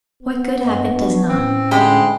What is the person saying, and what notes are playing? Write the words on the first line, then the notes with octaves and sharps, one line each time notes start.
What good habit does not?
B3
G2 A#3 D#5
D4 F#4
A2 C4 C#4
D2 G#3 G4 D#5 B5